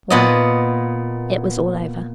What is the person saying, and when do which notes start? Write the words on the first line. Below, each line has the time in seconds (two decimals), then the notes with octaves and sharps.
Well; it was all over....
0.10 A#2 B3 D#5